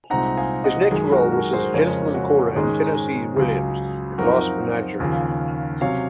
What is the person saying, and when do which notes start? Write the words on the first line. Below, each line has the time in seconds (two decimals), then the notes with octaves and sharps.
His next role was as the Gentleman Caller in Tennessee Williams' "The Glass Menagerie".
0.10 C2 A#2 G#3 C4 D#4 F#5 A#5
0.37 F5 G#5
0.64 D#5 F#5
0.91 F#2 D#3 G#3 G#4
1.12 F#4 A#4
1.32 F#4 A#4
1.53 G#4 C5
1.74 F2 C#3 G#3 C#4 A#4 C#5
2.14 F#4
2.56 G#2 D#3 G#3 C#4 G#4
3.36 C#2 C#3 F#3
4.18 F#2 F3 C4 D#4 F#4 A#4
4.99 D#2 C#3 F3
5.81 C3 F#3 C#4 C#5 F5